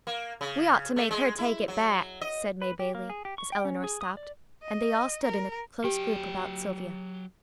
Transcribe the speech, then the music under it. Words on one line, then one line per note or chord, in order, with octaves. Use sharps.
"We ought to make her take it back," said May Bailey, as Elinor stopped, and they all stood in a close group about Sylvia.
A#3
C#3
A3
G#3
E4
F#3
D#5
B4
G4
A#3
G#4
G4
C#6
G5
C#4
G#4
D#6
D5
D#5
A#4
F#3 G4 G5